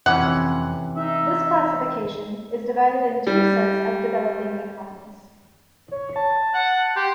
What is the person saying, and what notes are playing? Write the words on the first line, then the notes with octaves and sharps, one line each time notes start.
This classification is divided in two set of developing economies.
F2 C3 E3 C#4 F#5
D#4 E5
G3
C#5
A5
F#5
G4 C6